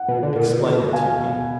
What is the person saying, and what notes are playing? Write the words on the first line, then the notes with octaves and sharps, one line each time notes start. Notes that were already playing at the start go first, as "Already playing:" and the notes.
"Explain it to me."
Already playing: F#5
B2
D3
A#2
B2
D3
B2
F5 G#5